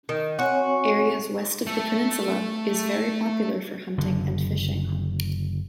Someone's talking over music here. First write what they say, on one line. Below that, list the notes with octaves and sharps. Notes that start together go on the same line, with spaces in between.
Areas west of the peninsula is very popular for hunting and fishing.
D#3
C4 F#4 C#5 G#5
A3 A4
F#1 D3